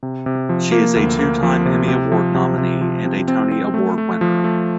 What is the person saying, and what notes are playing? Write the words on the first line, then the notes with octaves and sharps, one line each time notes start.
She is a two-time Emmy Award nominee and a Tony Award winner.
C3
C3
F3
A#3
D2
A#3
F3
C3
C3
F3
C3
C3
F3
C3
C4
C4
A3
A3
F3
A3